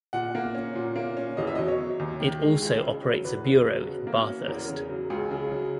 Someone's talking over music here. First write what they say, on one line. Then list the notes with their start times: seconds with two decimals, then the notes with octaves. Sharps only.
It also operates a bureau in Bathurst.
0.13 A#2 F#5
0.35 A#3
0.55 C#4
0.75 A#2
0.96 A#3
1.17 C#4
1.37 E2 D#5
1.47 E5
1.55 B2 D#5
1.68 C#5
1.78 F#3
1.99 D#2
2.20 D#3
2.41 G#3
2.62 C#2
2.83 C#3
3.03 F#3
3.24 E2 B4
3.45 C#3
3.65 F#3
3.86 B2
4.07 A#3
4.27 C#4
4.47 E2 A#4
4.68 C#3
4.89 F#3
5.10 C#2 G#4
5.31 C#3
5.52 F#3